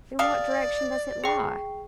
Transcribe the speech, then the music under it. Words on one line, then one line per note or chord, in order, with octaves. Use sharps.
'In what direction does it lie?'
G4 A4 D5 F5 D#6
G#4 G5